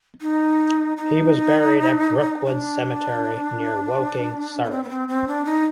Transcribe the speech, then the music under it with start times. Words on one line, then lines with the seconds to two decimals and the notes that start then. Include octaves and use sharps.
He was buried at Brookwood Cemetery near Woking, Surrey.
0.21 D#4
0.97 D#4
2.46 D4
4.64 B3
4.71 C4
4.84 B3
4.89 C4
5.08 C4
5.28 D4
5.45 D#4